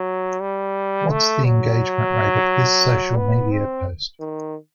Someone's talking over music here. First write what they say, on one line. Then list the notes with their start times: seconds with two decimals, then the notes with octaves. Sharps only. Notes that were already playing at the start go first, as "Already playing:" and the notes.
What is the engagement rate of this social media post?
Already playing: F#3
0.41 G3
1.11 A3
1.45 F#3
3.16 B3
3.51 C4
4.20 D#3